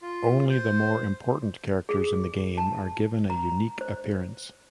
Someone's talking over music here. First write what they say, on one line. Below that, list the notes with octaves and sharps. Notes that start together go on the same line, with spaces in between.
Only the more important characters in the game are given a unique appearance.
F4
C5
G#4
A5
A#5
C5